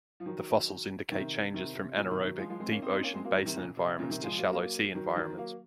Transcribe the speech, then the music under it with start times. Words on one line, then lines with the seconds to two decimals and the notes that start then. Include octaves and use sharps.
The fossils indicate changes from anaerobic, deep ocean-basin environments to shallow sea environments.
0.20 F3
0.26 D#3 F#3
1.11 C3 D#3
1.54 C3 D#3
1.75 C3
1.97 A#2 C#3
2.11 C3 D#3
2.25 D#3 F#3
2.39 F3 G#3
2.50 F3 G#3
2.60 G#3 C4
2.71 A#3 C#4
2.82 C4 D#4
2.92 C4 D#4
3.03 A#3 C#4
3.14 G#3 C4
3.24 F#3 A#3
3.34 D#3 F#3
3.46 C3 D#3
3.56 A#2 C#3
3.77 C3
3.88 C3
3.98 A#2 C#3
4.09 C3 D#3
4.23 F3 G#3
4.38 F#3 A#3
4.52 F#3 A#3
4.95 D#3 F#3
5.16 D#3 F#3
5.37 F#3 A#3